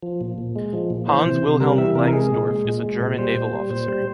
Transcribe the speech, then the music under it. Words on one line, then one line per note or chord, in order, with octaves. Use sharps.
Hans Wilhelm Langsdorff is a German naval officer.
F3
A#2
A#2
G#3
F3
A#2
E3 C5
C3
C3
G3 A#4
E3 E5
C3 A#4
A#4
G#3 G#4
A#2
G#3
A#2
G#3
A#2
G3 C5
A#2
G3
A#2 C5
G3